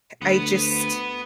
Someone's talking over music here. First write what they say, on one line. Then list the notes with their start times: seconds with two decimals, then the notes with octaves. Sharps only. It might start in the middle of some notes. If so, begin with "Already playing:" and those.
I just
0.22 D2 B3 B4